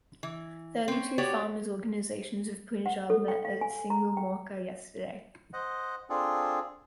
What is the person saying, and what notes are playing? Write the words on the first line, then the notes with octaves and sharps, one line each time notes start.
Thirty-two farmers' organisations of Punjab met at Singhu Morcha yesterday.
E3
C4 C#4
B3 F#4 G4 C#5 D5
F#5
A4
G5
F5
G#5
A#5
G5
C5 D#5 F#5
C4 D4 F4 G#4 A4